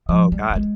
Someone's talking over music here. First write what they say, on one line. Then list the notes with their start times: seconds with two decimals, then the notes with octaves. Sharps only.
Oh, god.
0.09 F3
0.32 G3
0.50 G3
0.56 G#3